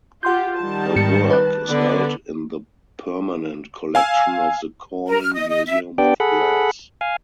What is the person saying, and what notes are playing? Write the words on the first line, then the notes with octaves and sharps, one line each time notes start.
Her work is held in the permanent collection of the Corning Museum of Glass.
F4 G4 F#5 C6 G6
D#3 G3 A5
G#2 G4 C#7
B4 F#6
D3 B3 D5
F5 G#5 E6
A#4
F6
D#5
D#5
E5
B3 D4 G4 D5 G5
G#4 A4 F#5 B5
F5 G#5